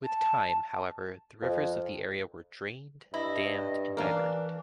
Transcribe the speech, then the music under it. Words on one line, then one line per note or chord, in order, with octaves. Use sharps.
With time, however, the rivers of the area were drained, dammed and diverted.
A5
F2
G2 E4 D#5
E3 A#3 D4 A#4 D5 F5